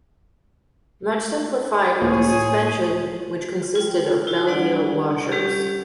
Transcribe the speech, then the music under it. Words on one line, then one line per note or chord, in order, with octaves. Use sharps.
Much simplified was the suspension which consisted of Belleville washers.
C#2 A2 A#3 G#4 C#5 G#5
F4 G5
E4 F#4
G3 D4 D5 F#5
G3 C#4 G4